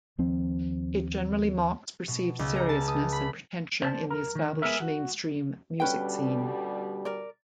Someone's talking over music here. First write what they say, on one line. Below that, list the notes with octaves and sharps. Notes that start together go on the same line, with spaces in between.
It generally mocks perceived seriousness and pretension in the established mainstream music scene.
D#2 F3 C4
B2
C#2
A#5
A5
D#6
B5
C5 D5 E5 A5
A#4
D#3
G#3 B3 G#4 A#4 E5
F#4
B2 D3 G3 C#4 B4 G5
A#4 D5